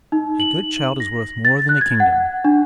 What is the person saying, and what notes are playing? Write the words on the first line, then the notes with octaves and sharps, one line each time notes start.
A good child is worth more than a kingdom.
D#4
F#7
A#6
A6
F#6
G#6
F#5
D4